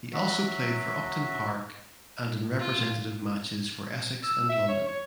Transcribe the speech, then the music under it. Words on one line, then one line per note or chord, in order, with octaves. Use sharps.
He also played for Upton Park and in representative matches for Essex and London.
F#3 F#4 E5
F4
E6
E5
C#5
C#5